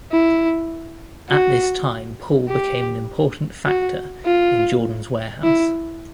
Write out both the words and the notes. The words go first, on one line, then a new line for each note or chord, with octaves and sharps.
At this time Paul became an important factor in Jordan’s warehouse.
E4
F#4
G4
F#4
F4
E4